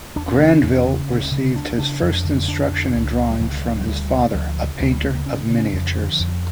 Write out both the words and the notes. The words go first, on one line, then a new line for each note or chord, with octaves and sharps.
Grandville received his first instruction in drawing from his father, a painter of miniatures.
E2 D4
C#4
C#3 A#3
C#4
E2 C#4
C#3
D2
C#3
D2 D4
C#3 D4
F2
D3
F2 D4
D3
C#2
C#3
G3
C#2 F3
D3
C#3 E3
G3
D2
C#3
D2 F3
C#3
D2 F3
G3
C#3 A3
A#3
D2 C#4
C#3
C#4
F2 F3
D3
F2